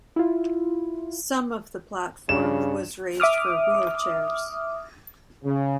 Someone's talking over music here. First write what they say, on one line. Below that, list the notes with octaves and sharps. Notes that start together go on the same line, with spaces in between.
Some of the platform was raised for wheelchairs.
E4 F4
G2 C#3 D5 E7
E5 D6 D#6 F6
C#3